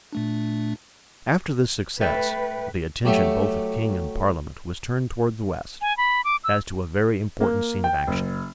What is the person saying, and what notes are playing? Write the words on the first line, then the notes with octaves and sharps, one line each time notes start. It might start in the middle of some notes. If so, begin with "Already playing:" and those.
After this success, the attention both of king and parliament was turned towards the west, as to a very important scene of action.
A#2 A3 D4
A3 B4 G5
F#3 A3 G4 E5
G#5
B5
D6
E6
A#3
G5
F#1